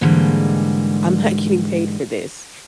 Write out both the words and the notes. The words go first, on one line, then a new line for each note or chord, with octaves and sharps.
I'm not getting paid for this,
G#2 D3 E3 G3 G#3 A#3